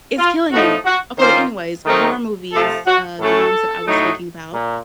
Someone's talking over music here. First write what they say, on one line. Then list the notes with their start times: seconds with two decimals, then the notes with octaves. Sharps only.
it's killing me. Okay, but anyways, horror movies, uh, the ones that I was thinking about,
0.18 F4
0.52 A2 F3 A3 D#4 F#4
0.85 F#4
1.19 D#3 A#3 C#4 F4 C5
1.86 D#3 F#3 A3 C4 D#4 A#4
2.53 C3 F3 A3 A4
2.86 F#4
3.20 A2 F#3 A3 C#4 A4
3.87 A2 F#3 A3 D#4
4.54 A#2